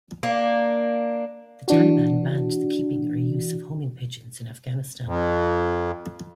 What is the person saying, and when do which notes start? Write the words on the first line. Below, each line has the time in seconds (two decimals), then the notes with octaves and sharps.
The Taliban banned the keeping or use of homing pigeons in Afghanistan.
0.23 A#3 D4
1.68 E3 D4 F#4
5.05 F2